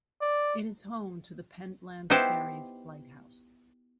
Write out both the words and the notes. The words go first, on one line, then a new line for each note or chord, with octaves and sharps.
It is home to the Pentland Skerries Lighthouse.
D5
B3 D#4 E4 G4 C5